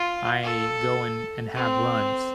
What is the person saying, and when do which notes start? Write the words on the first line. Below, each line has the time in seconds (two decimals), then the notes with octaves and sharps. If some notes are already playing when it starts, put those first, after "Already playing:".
I go and and have runs,
Already playing: F4
0.43 A4
1.56 C4